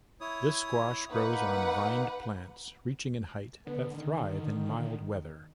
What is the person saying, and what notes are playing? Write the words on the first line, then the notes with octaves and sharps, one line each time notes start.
This squash grows on vined plants reaching in height that thrive in mild weather.
E4 C#5 D#6
A#3 D#4 B4 F#5
D3 B3
D#3